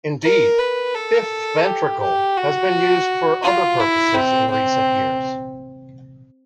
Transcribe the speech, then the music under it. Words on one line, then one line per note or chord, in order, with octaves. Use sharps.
Indeed, "fifth ventricle" has been used for other purposes in recent years.
A#4
B4
A4
G4
G4
F#4
F4
E4
C4
C4